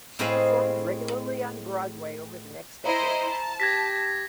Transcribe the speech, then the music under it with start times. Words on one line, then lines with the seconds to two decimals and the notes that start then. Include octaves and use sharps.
She performed regularly on Broadway over the next decade.
0.19 A2 C4 G#4 D#5 F5 B5
2.85 E4 C5 D#5 A#5
3.30 A5
3.60 G4 G#6 A#6 B6